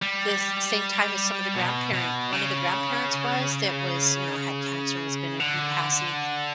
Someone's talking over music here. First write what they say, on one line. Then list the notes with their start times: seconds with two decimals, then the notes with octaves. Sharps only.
the same time as some of the grandparent one of the grandparents was that was, you know, had cancer and was gonna be passing,
0.02 G3
1.55 B2
1.94 B2
2.32 C#3
5.40 D3